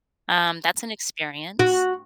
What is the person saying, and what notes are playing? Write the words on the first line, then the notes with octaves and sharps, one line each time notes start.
Um, that's an experience."
F#4